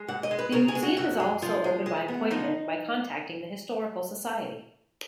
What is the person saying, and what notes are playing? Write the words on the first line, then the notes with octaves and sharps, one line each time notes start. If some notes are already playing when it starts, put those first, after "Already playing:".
The museum is also open by appointment by contacting the Historical Society.
Already playing: G#3
G#2 F#5
D#5
G#3
B4
C#3 A#4
G#4
G#3
F#4
F#2 F#4
G#3
F3 F4
G#3
G#3
B3
F3 D#4